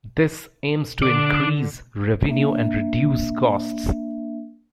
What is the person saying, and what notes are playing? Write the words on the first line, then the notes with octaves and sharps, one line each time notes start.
This aims to increase revenue and reduce costs.
D3 D4 D5
A#3 D4 E5